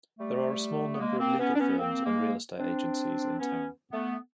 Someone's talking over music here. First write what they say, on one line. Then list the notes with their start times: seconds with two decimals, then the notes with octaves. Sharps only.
There are a small number of legal firms and real estate agencies in town.
0.19 G3 A3
0.94 B3
0.99 G#3 A#3
1.19 A#3 C4
1.39 B3 C#4
1.55 D4
1.60 B3 C#4
1.79 A#3 C4
2.06 G#3 A#3
2.59 C4 D4
3.39 B3 C#4
3.92 A3 B3